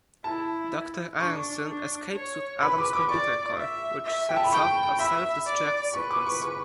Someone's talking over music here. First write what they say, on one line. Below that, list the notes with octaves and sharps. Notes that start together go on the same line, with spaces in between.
Doctor Aaronson escapes with Adam's computer core, which sets off a self-destruct sequence.
E4 A5
D4 C#6
D4
C#5
B4 B5
D6
D6
D5 C#6
E5
E5
G5
A5
B5
G5 C#6
E5 B5
D5
B4 C#6
D6
C#6
C#6